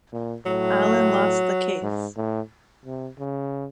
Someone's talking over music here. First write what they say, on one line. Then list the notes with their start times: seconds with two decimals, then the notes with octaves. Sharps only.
Allan lost the case.
0.13 A#2
0.46 A2 F#3
1.82 G#2
2.17 A2
2.85 C3
3.19 C#3